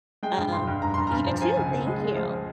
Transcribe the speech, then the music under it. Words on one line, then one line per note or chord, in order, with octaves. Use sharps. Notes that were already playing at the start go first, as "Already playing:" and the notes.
Um, you too. Thank you.
G#3 G5
G2
G2 C6
G2
G2 A#5
G2 C6
G2 A#5
F3
F3 G#5
C#2
F3
G#3
G#3
F3